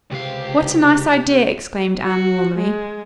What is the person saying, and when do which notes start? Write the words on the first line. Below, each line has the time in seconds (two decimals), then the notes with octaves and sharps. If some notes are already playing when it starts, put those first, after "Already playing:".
"What a nice idea!" exclaimed Anne warmly.
0.11 C#2 C3 G4 F5
2.04 F#4
2.58 G#3